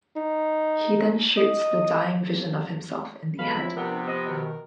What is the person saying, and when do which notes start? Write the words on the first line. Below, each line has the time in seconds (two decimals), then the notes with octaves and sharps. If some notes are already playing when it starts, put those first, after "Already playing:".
He then shoots the dying vision of himself in the head.
0.16 D#4
1.38 D#5
3.39 C#2 F#3 G#3 B3 A4 F5 B5
3.55 F3 E4
3.76 C3 B3 D4 A#4
4.07 C4 D#5
4.28 B2 D#3 A#4